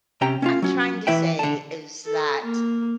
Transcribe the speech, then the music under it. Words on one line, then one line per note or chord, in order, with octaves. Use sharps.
I'm trying to say is that,
C3 C#4 G4 G5 A#5
C#4 D4 F4
F#3 C#4
E3 E4 B4 E5 G5
D3 A5
A4
A#3